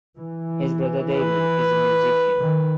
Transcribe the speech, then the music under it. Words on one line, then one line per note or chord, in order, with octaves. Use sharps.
His brother David is a musician.
E3
B4
D#3